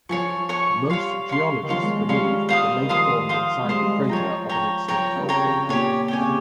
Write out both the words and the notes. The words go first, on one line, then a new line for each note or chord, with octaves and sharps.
Most geologists believe that the lake formed inside the crater of an extinct volcano.
F3 C#5 G#5 C#6
C#5 G#5 C#6
G3 C#5 F5 C6
C#5 F5 C6
D#3
F3 C#5 F5 C6
G#3
G#3
G3 C#5 F5 C6
C5 F5 C6 D#6
D#3
F3 C5 F5 C6 D#6
C5 F5 C6 D#6
G#3
G3 C5 F5 C6 D#6
G#3
G3
F3 C#5 G5 A#5
C#5 G5 A#5
F3 C#5 G5 A#5
F3
C#3
C3 C#5 G5 A#5
A#2 G4 C#5 G#5
C3 G4 C#5 G#5
C#3